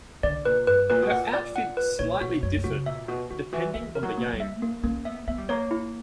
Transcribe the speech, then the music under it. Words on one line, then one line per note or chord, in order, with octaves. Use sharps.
Her outfit slightly differed, depending on the game.
D3 D5
A#2 B4
G2 B4
A#2 B4
B2
A#2 F#5
D5
F#5
B4
A#2 C#5
B2 F#4
F#2 C#5
B2
C#3 F#4
A#2 E5
B2 F#4
D3 F#4
E3 F#4
E3 E5
A#4
F#3
A#3
G3
E5
A#3 C#4
A#3 C#4
B3 E5
B3 E5
G3
A#3 C#5
E4